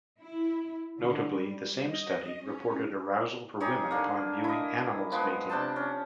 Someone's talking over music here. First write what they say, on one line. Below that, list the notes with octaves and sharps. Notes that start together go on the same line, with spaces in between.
Notably, the same study reported arousal for women upon viewing animals mating.
E4
D3
G3
D#5
C#4
D#4 G4 G#4 C#5
D3 A#3
E4 D#5
F3 G#3 B3
C3 D4 G5 A5
C#4